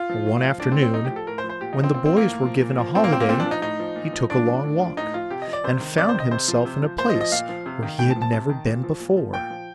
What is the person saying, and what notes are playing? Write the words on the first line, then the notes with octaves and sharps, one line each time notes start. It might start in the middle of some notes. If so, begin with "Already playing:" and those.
But one afternoon, when the boys were given a holiday, he took a long walk, and found himself in a place where he had never been before.
Already playing: F4
F3
A2
F3
A2 D4
C4
F3
C4
A2 D#4
G4
F3
A4
A2 A#4
C5
F3
C5
A#2 G4
F3 D#4
C4
A#2 C4
C4
F3 A#3
A2
F3
A#2
F3
A#2 C4
A#3
F3 C4
A#3
A#2 C4
D4
F3
D#4
A2 D#4
F3
A#2
F3
A2 D4
F3
A2
F3
A2 D#4
F3 F4
C3 G4
D#5
F3
D5
C3 C5
D#3
C3 D5
C5
D#3
D#5
C3 C5
F3
C3
F3
A#2 C5
D#5
F3
D#5
A#2 F5
F3
C3
D#3
A2 G5
A5
F3
A5
C3 A5
D#3
A#2
F3
A#2
F3
A#2 G5
F3